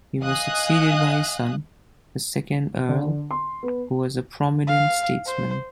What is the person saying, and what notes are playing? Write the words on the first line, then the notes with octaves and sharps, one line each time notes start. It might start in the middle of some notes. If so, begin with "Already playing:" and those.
He was succeeded by his son, the second Earl, who was a prominent statesman.
D#5 F5 G#5 D#6 F#6
D3
C6
B3
F5
C5